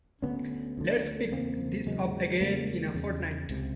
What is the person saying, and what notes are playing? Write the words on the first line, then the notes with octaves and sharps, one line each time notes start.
Let's pick this up again in a fortnight.
D2 D3 B3 C#4
D2 D3
E2 C#3 A#3 C4
E2 C#3 F#3 G#3
E2 C#3 G#3 A#3
E2 C#3
C#2 C3